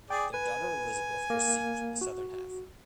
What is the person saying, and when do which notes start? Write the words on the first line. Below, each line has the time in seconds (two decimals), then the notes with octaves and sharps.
Their daughter Elizabeth received the southern half.
0.10 G#4 D5 G5
0.34 B4 G#5
1.30 A#3
2.01 F#4